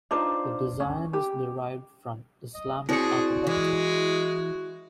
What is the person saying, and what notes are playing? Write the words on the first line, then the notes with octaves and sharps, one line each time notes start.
The design is derived from Islamic architecture.
D4 D#4 F4 C5
C#4
G4
D#5
C4 E4 F#4 G#4 D5 C#7
E3 G#3